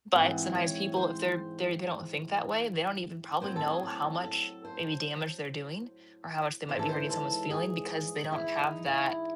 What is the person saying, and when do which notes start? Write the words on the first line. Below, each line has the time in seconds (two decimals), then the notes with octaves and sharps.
but sometimes people, if they're they're they don't think that way, they don't even probably know how much maybe damage they're doing or how much they might be hurting someone's feeling because they don't have that
0.14 G#2 E3 G#3 C4 F#5
0.55 C#5
0.96 C5
3.41 A2 F#3 C4 C5
3.56 A4
3.70 G#4
3.83 A4
4.24 A4
4.65 C5
6.69 G#2 E3 G#3 C#4 C5
6.79 A4
6.89 C5
7.09 A4
7.50 G#4
8.32 E4
8.59 D#4
8.87 E4